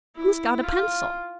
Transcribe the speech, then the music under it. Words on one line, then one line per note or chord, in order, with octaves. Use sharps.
Who's got a pencil?'
E4
F4